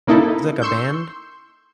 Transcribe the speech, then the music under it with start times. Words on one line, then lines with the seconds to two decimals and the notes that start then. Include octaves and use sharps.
It's, like, a band?
0.07 C#3 A#3 D#4 E4 A4
0.62 C6 C#6 E6 G6